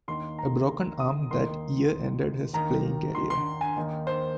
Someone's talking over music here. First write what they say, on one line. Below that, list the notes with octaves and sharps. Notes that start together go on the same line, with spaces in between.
A broken arm that year ended his playing career.
D#2 D#3 A#3 D#4 C6
A#5
D#6
D#2 D#3 A#3 D#4 C6
D#2 D#3 A#3 D#4 A#5
C6
C6
G#5
D#2 D#3 A#3 D#4
C5